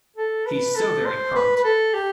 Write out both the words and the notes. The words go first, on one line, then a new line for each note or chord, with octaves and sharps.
He's so very prompt!
A4
B4
A4
C5
B4
B4
A4
G4